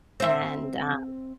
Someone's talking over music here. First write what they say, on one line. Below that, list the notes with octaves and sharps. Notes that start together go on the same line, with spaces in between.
and, um
C4 E5